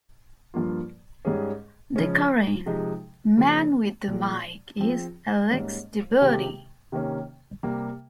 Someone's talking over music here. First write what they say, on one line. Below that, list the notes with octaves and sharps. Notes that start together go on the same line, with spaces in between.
The current "Man with the Mic" is Alex Davoodi.
G2 F3 A#3 F4
G#2 G3 C#4 G#4
C#3 F3 G#3 C#4
C3 F3 G#3 D#4
C#3 F3 A#3
A#2 F3 G#3
F3 C4 F4 G#4
G#2 G3 A#3 C#4
C3 D#3 G#3 C4 G4
C3 D#3 A#3 C#4
C3 G3 A#3